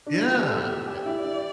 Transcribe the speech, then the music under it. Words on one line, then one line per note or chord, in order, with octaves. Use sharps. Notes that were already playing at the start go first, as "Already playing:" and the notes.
Yeah, a
D4
E4
F4
G4
A4 E5
G4
G4
E4 D5
E4